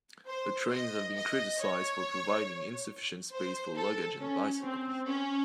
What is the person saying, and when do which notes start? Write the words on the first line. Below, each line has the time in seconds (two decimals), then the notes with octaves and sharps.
The trains have been criticised for providing insufficient space for luggage and bicycles.
0.28 C5
0.71 D#5
1.15 D#5
1.58 C#5
3.33 C5
3.76 A4
4.20 C#4
4.63 C4
5.07 C#4